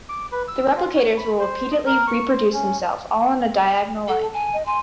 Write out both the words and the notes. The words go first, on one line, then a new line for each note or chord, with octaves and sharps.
The replicators will repeatedly reproduce themselves, all on a diagonal line.
D6
B4
E6
F4
C#5
B5
C5
D#5
A#4
C#6
C5
C#4
A4 F#5
A5
G#5
D#5
G#5 C6